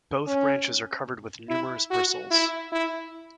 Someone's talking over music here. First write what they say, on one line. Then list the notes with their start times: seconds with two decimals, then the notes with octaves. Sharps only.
Both branches are covered with numerous bristles.
0.27 C#4
1.49 E4
1.91 F#4
2.31 E4
2.72 E4